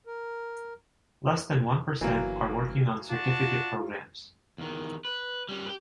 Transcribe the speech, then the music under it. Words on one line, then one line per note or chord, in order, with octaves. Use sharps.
Less than one percent are working on certificate programs.
A#4
G1 E3 F#3 A#3
D4 F4 F#4 A5
E2 D#3
B4
G3 C#4
G4 B4